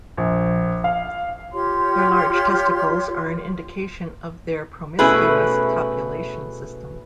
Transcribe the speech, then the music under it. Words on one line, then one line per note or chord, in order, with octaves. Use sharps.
Their large testicles are an indication of their promiscuous copulation system.
A#1
F5
F4 G4 C#5 C6
B2 A3 C#4 E4 G#4 B4